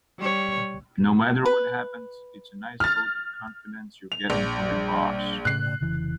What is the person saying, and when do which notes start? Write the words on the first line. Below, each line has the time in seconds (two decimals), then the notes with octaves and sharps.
No matter what happens, it's a nice vote of confidence you're getting from your boss.
0.19 G3 C#5
1.45 B4
2.80 F6 A6
4.12 F7
4.30 A#1
4.71 G3 D4
5.45 A2 C#3 F#6 C7
5.81 F1 C#3 E3